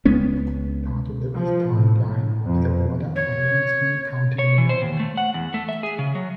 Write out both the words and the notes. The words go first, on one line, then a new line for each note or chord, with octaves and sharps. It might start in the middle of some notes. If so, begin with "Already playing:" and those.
Part of the east town line is the border of Livingston County, New York.
C#2 G#3 B3 C#4
F3
A2
A2
F2
C#5
C#5
E3
C5
D#2
A3
F#5
E2
A3
E5
G#4
C#3
F#3